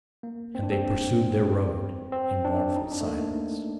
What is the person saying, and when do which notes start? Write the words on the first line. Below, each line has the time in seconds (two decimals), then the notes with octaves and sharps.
And they pursued their road in mournful silence.
0.23 A#3
0.55 C4
0.63 D4
0.72 C4
2.12 C4
2.44 D4
2.76 D#4
2.92 D4
3.01 A3
3.07 A#3